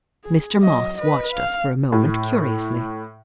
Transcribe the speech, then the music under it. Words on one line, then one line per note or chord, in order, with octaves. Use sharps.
Mr. Moss watched us for a moment curiously.
G#4
F#3 D#5
B4 D#5
F5
A2